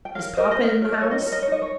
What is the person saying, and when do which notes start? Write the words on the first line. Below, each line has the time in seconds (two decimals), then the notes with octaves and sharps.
"Is papa in the house?"
0.05 G5
0.15 A#4 C#5 F5
0.37 A#4 C5 D#5
0.51 D#5
0.59 A#4 C#5
0.82 A#4 C#5
0.92 D#5
1.01 A#4 C#5
1.11 D#5
1.21 A#4 C#5
1.32 D#5
1.42 C#5
1.48 D#4 D#5
1.62 C#5